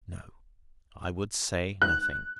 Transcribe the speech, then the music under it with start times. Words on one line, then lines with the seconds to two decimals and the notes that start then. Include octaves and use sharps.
No, I would say nothing.
1.82 F#6